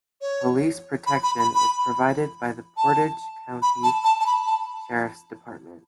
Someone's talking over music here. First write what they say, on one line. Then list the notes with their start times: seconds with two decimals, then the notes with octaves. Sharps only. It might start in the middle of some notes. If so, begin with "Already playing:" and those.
Police protection is provided by the Portage County Sheriff's Department.
0.21 C#5
1.07 B5
1.23 B5
1.39 B5
1.55 B5
2.77 A5
3.62 B5
3.83 A5
4.04 A5
4.20 A5
4.26 B5
4.47 A5